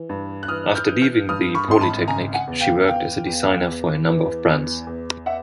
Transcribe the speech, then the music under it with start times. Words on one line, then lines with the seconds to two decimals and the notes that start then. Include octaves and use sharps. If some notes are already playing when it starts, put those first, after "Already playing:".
After leaving the Polytechnic she worked as a designer for a number of brands.
Already playing: E3
0.09 G2
0.43 F#6
0.48 E3 D#6 F6
0.75 F6 G6
0.88 E3
1.02 F6 G6
1.29 G2 D#6 F6
1.55 B5 C#6
1.68 G#1 C6
1.81 A5 B5
2.08 C#3 G#5 A#5
2.34 F#5 G#5
2.47 E2
2.61 F5 G5
2.87 E2 F5 G5
3.27 E2
3.67 E2
4.06 E3
4.47 E2
4.87 E2
5.26 E5 F#5